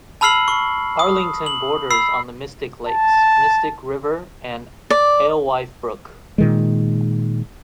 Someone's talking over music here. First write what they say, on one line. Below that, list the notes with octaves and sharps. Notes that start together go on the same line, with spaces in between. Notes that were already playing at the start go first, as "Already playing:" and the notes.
Arlington borders on the Mystic Lakes, Mystic River, and Alewife Brook.
A5 B5 E6 F6 C7 F#7
C#6
D#6
F#7
B5 E6 C7
A5
D5
A#2 D#3 G#3